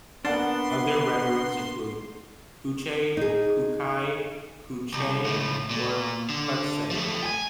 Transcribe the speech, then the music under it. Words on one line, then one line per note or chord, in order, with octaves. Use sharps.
Other renderings include "cuchay", "kucai", "kuchay", or "kutsay".
A#3 B3 D4 F#5 C6 A6
D#4 G#4
C2
C#2 A2
A#2
D3
F3 A3
G5 G#5